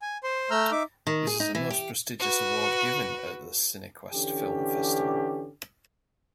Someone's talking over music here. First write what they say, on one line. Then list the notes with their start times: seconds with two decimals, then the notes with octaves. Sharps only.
It is the most prestigious award given at the Cinequest Film Festival.
0.02 G#5
0.24 C5 C6
0.50 A3 A#5 E6 F6 G6
0.72 D#4 E5 D6
1.07 D#3
1.27 G#4
1.40 D#4
1.55 E3
1.70 G4
2.20 F#4 B4
4.14 D3 E3 C#4 G4